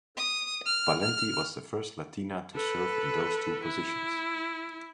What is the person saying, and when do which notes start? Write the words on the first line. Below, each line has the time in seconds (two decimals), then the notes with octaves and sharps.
Valenti was the first Latina to serve in those two positions.
0.17 D#6
0.65 F6
1.02 F6
2.54 A4 B4
3.63 E4